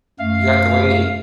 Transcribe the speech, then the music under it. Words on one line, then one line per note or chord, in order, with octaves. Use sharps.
You got the way.
F#2 A3 F5